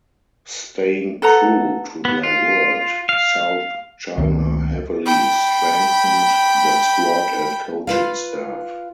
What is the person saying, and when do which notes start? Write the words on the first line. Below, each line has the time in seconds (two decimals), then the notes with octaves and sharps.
Staying true to their word, South China heavily strengthened their squad and coaching staff.
1.22 A4 B4 F#5 A#5
2.05 B3
2.23 F4
3.09 F5
4.18 C#2 D#3 A#3 C4
5.06 G5 B5
7.87 F4 B4 F5